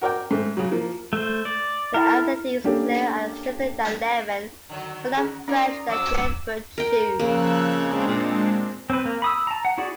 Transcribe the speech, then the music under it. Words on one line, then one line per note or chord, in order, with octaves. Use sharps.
The acidity is clearer and simpler than lemon, more fresh than grape verjuice.
F#4 A#4 D5 G5
G#2 A3
C#3 F#3
F3 A#3
A3 C5
D5
E4 A4 A#4
A#3 C#4 D4 G4 A4
D3 D#3 F#3
C#4 G#4
C#4 D#4 F4 A#4 D5
F3 F#3 D4 D6 E6
A#4 G5
C#3 F3 A#3 E6 F#6
G#3 C4 D4
A#2
C4 B4
A#3
B5 D#6 E6
A5 A#5
F#5
E4 F#4 G#4 D5